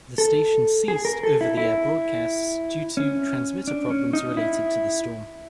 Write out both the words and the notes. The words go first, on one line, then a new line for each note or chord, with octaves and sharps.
The station ceased over-the-air broadcasts due to transmitter problems related to the storm.
A4
G#4
A#4
A4
E4
E4
C#4
D4
C#4
D#4
E4